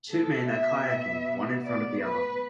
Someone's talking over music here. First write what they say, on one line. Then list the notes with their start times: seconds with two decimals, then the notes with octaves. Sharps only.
Two men are kayaking, one in front of the other.
0.11 B2 B3 A4
0.49 E5
1.65 D5
2.03 B4